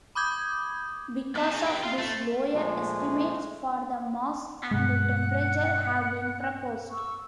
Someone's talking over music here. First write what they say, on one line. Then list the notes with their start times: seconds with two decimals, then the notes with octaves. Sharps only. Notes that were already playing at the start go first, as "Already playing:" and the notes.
Because of this, lower estimates for the mass and temperature have been proposed.
0.15 B5 D6 D#6 G6 G#6
1.35 B3 D#4 E5 A5
1.51 G#4 D#5 G#5 A5
1.66 G4 B4 D#5 G5
1.83 F4
1.98 A3
2.54 A#2 F3 G#3 A3
4.71 G2 B2 G#3 F#5 F#6
6.89 C#6 E6